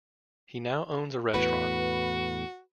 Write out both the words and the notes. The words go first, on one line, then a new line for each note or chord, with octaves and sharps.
He now owns a restaurant.
E2 A2 F#4 B4